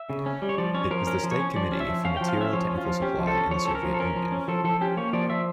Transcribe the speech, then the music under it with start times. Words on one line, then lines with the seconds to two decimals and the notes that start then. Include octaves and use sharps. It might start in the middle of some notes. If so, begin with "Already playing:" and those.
It was the state committee for material technical supply in the Soviet Union.
Already playing: E5
0.10 C#3
0.26 C#4
0.42 G3
0.49 C#5
0.58 F3 D5
0.74 C#4 C#5
0.91 F3 A#4
1.07 C#4 A#4
1.23 F3
1.31 C#5
1.40 C#4
1.56 F3 D5
1.72 C#4
1.80 E5
1.88 F3
2.04 C#4 F5
2.17 G5
2.21 F3
2.29 F5
2.37 C#4 E5
2.53 F3 C#5
2.69 C#4
2.78 F4
2.85 F3
3.02 C#4 G4
3.19 F3
3.27 A4
3.34 C#4
3.51 F3 C#5
3.65 C#4 A4
3.75 A#4
3.83 F3
3.94 A4
4.00 C#4 A#4
4.16 F3
4.32 C#4
4.48 F3 A4
4.64 F3 A4
4.81 C#4 G4
4.97 A#3 C#5
5.13 F3 D5
5.30 F3 E5